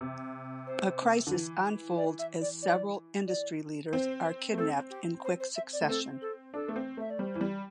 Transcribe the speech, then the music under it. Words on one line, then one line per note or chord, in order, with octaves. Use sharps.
A crisis unfolds as several industry leaders are kidnapped in quick succession.
C3
C5
D3
E3
D5
E5
D5
D5
D5
C4 C5
A3
C4 A4
G4
C5
C5
E5
D5
A3
C4 A4
A4
D4 A4
A3
C4
A3 E5
D5
G3 C5
E3
G3